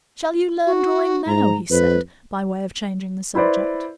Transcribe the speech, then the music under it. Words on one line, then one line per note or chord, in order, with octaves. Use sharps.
"Shall you learn drawing now?" he said, by way of changing the subject.
F#4
G#2 A#5
F2 B4
E4 B4 C5 D5